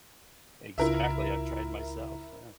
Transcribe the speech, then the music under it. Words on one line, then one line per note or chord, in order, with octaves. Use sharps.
Exactly. I've tried myself. Yeah.
C#2 C#3 E4 F4 A#4 E5